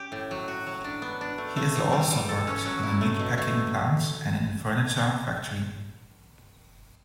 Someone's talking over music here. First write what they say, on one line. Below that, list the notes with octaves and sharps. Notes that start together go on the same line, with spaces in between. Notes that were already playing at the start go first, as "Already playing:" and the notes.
He has also worked in a meat packing plant and in a furniture factory.
Already playing: C#4 G4
A2
F#3
F#4
F#3
D4
B3
D4
A3
A3
E3
G3
G3
A4
C#4
F#3
E4
A3
B2
A3